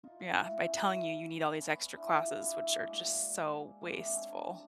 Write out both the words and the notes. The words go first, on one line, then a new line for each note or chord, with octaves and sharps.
yeah, by telling you you need all these extra classes, which are just so wasteful.
D#4 F4
D#4 F4
E4 F#4
C4
B3 C#4
G3 A3
B3 C#4
D4 E4
D#4 F4
D4 E4
A3 B3
F#3
G#3 A#3
G#3 A#3
A3 B3
C4 D4
C#4 D#4
C4 D4